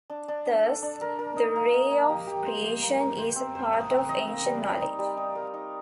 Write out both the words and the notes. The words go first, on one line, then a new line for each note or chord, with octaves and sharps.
Thus, the Ray of Creation is a part of ancient knowledge.
D4
D4
D4
A4
D4
A#4
A#4
D#4
A#3
D#4
A#3
G4
G4
C5
C5
A#3
A#3
C5
C4
C5
D#5
C4
D#5
A#3
G3
G3
D#4
G3
D#4
A#4
D#4